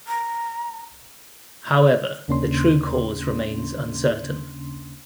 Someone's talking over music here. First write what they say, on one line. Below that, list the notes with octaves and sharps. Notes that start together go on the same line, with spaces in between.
However the true cause remains uncertain.
A#5
D#2 C#3 A#3 C#4 D4 C6